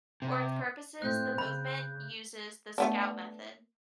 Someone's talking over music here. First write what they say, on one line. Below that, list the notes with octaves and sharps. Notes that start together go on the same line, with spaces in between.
For its purposes the movement uses the scout method.
C3
A2 C4 F#6 G6
C#3 B5
A3 B3 D4